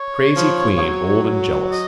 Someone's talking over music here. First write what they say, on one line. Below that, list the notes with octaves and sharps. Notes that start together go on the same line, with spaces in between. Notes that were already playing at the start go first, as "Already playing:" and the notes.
A crazy queen, old and jealous.
Already playing: C#5
F3
F3
F#3
D#5